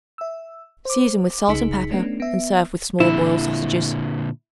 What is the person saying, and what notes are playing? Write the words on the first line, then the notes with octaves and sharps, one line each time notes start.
Season with salt and pepper, and serve with small boiled sausages.
E5 E6
C5 D6
C2 C#3 D#4 G#4 B6 C#7
A3 B3 C#4 D4
B3 E5
A#2 D3 E4